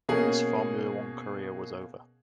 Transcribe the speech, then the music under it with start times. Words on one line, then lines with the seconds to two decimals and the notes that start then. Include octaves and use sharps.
His Formula One career was over.
0.09 B2 A#3 C#4 G#4